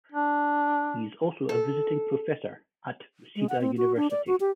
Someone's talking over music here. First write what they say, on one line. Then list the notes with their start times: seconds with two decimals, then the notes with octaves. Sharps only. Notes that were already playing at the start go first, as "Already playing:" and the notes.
He is also a visiting professor at Waseda University.
0.12 D4
1.49 A4
3.36 G#3
3.49 F#5
3.61 C4
3.77 F#4
3.97 D4
4.11 D5
4.27 F#4
4.40 G4